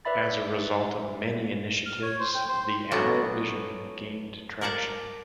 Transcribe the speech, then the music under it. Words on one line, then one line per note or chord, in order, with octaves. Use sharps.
As a result of many initiatives the AmI vision gained traction.
B4 D5 E5 B5 A6
F6
C#5
C5
G5
C5
F#3 A3 B3 C#4 D4 F#4
A#4 D5 F#5 A5 A#5